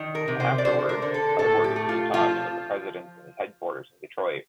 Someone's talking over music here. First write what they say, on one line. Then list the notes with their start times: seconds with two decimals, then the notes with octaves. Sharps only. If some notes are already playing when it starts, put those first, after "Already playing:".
Afterwards, Cyborg is seen talking with the President in his headquarters in Detroit.
Already playing: D#3
0.15 A#4
0.28 C3
0.40 C5
0.58 D5
0.65 D3 C5
0.89 A#4
1.02 D3
1.14 A4
1.39 A2 A4
1.64 G4
1.76 A3
1.89 F4
2.14 F3 F4